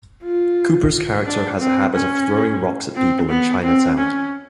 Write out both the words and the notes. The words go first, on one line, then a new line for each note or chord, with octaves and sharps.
Cooper's character has a habit of throwing rocks at people in Chinatown.
F4
D4
C4
C#4
C4
B3
C4
C#4